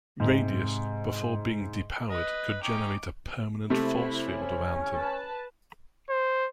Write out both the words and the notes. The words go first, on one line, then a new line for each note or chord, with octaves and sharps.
Radius, before being depowered, could generate a permanent force field around him.
G#2 C3
B4 D#5
C#4 D#4 G5 D6
C3 A3 E4 C5
C#4
B4 A5
C5